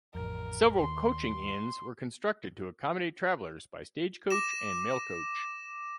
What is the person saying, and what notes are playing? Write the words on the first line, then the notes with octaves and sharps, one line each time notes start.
Several coaching inns were constructed to accommodate travellers by stagecoach and mail coach.
A1 F2 A#4
D#2 C6
D6 A#6 E7